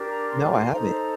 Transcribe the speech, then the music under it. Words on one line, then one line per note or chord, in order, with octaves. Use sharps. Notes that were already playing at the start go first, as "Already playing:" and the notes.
No, I haven't.
Already playing: D4 G4 A#4
A#5
C6
A#5
C6
D#4 A4 C5 A#5